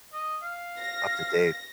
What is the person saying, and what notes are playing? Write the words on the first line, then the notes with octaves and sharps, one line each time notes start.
up to date.
D#5
F5
A#6